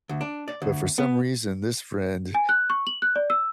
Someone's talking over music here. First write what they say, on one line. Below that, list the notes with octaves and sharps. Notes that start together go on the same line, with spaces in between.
but for some reason, this friend
D2
D4
D5
D2
B3
G#5
F#6
C#6
F#7
F#6
D5
E6